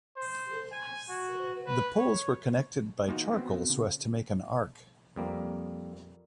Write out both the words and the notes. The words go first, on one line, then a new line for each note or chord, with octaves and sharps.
The poles were connected by charcoal so as to make an arc.
C5
G#5
F#4
B4
C#5
E3 A#3 D#4 F4 F#4
B3 C4 F#4
C#3
F2 G3 A#3